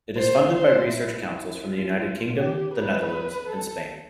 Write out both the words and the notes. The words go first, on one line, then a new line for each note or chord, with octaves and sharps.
It is funded by research councils from the United Kingdom, the Netherlands and Spain.
C5
C5
E4
F4
G4
B4
A4